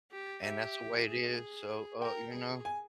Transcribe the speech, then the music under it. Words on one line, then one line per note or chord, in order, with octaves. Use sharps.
And that's the way it is, so, uh, you know
G4
G4 E5
G#4
A#4 G5
G#4
G#5